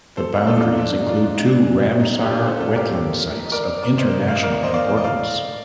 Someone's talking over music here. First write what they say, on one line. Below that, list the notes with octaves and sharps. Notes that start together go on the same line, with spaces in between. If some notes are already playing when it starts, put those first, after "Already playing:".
The boundaries include two Ramsar wetland sites of international importance.
A4 C5
F4 A4
D4 F4
D#4
D4
D#4
D4 F4
D4
D#4
D4
D#4
G4
D4 F4
A4 C5
F4 A4
G4 A#4
D#5
A#4 D5
A#4 D5
C5 D#5
F5
D#5
A#4 D5
C5 D#5
D5 F5
D#5
D5 F5